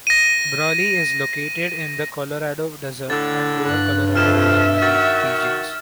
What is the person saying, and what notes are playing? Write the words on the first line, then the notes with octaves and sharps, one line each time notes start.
Brawley is located in the Colorado Desert and Lower Colorado River Valley regions.
A#6 D#7
A2 D3 A6
G2 F#6
F2 E5 F6 E7
D#3 F#4 A6